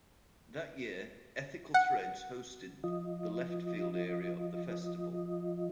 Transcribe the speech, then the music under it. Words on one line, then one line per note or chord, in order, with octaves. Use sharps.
That year, Ethical Threads hosted The Left Field area of the festival.
F#5
F3 F4 D#5